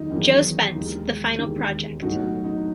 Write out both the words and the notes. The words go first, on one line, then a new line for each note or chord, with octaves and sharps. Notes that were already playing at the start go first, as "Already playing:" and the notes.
Jo Spence: The Final Project.
Already playing: E2 D#3 F#3 D#4
E2 D#3 F#3
E1 D#2 D#3 G#3
E1 D#2 D#3 G#3
B1 A2 F#3 D#4 F#4
D#4